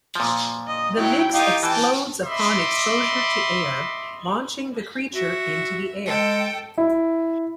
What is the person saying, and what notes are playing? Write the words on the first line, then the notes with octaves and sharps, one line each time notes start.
The mix explodes upon exposure to air, launching the creature into the air.
A#2 F3
D#5
F#3 E4 G5
D#4 F4 G4
E3 G5 A5
D#5 E5 B5 C6 D6
F#4 E5
G#3 A4 G5
E4